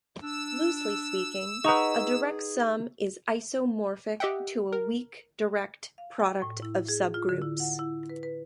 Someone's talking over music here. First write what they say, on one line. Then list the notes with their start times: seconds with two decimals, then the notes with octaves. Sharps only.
Loosely speaking, a direct sum is isomorphic to a weak direct product of subgroups.
0.23 D4 E6
1.64 D#4 G#4 B4 F#5 A#5 C#6
4.20 G4 D#5 E5 F#5 G5
4.72 A#4
5.98 F5
6.20 G5
6.42 A2
6.62 E4
6.89 G#4
7.14 F4
7.29 D3
7.42 E4
7.60 F#5
7.79 E4
8.10 B4
8.23 B4